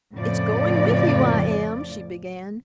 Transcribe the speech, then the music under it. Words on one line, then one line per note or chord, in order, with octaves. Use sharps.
"It's going with you I am," she began.
F2 A2 C#3 F3 D5